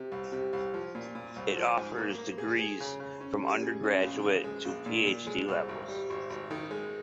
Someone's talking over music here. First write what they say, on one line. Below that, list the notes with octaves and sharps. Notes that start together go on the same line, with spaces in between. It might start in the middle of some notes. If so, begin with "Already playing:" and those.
It offers degrees from undergraduate to PhD level.
Already playing: C3
C2
C3
C2
F3
A#2
A#2
C2
F3
G#2
A#3
A#3
G#4
G#4
C#3
C#3
C#4
G3
G#4
C#4
A#1
A#1
G#3
A#1
A#2
A#2
G#3
C2
G#1
G3
G#1
G#1
D#3
G#3